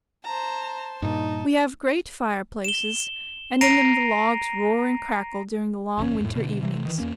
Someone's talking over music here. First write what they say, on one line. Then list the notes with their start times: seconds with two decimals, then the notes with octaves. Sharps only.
We have great fireplaces, and in them the logs roar and crackle during the long winter evenings.
0.24 C5 A5 A#5
1.02 G2 A#2 D#4 A5
2.65 E7 G7
3.61 A#5 A#6 C7 D7 D#7 F7
5.98 F#1 E2 A#2 C#4
6.20 F2 A2
6.35 B2 D3
6.63 C3 E3
6.85 D#3 E3
6.98 E2 A#3 C#4